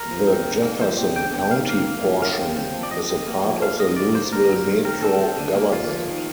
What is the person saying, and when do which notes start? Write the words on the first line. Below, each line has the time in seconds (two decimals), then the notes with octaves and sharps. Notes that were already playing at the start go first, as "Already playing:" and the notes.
The Jefferson County portion is a part of the Louisville Metro government.
Already playing: A#4
0.11 F3
0.27 C4
0.46 D#3
0.63 A#3
0.81 F3 C5
0.98 C4
1.16 D3 G5
1.33 C4
1.39 G5
1.51 D#3 F5
1.69 A#3 F5
1.86 A#3
2.04 F3
2.21 D#3 F5
2.39 C4
2.57 C4
2.74 F3
2.83 D5
2.91 F3 D#5
3.10 C4
3.27 A#3
3.44 F3
3.61 A#3 F5
3.80 D#3 D#5
3.96 D3 D5
4.14 A#3 C5
4.33 D3 A#4
4.49 A#3
4.67 D#3
4.85 C4 A#4
5.02 D3 A4
5.20 C4
5.38 D3
5.55 A#3
5.72 A#3 F4
5.90 F3
6.08 D#3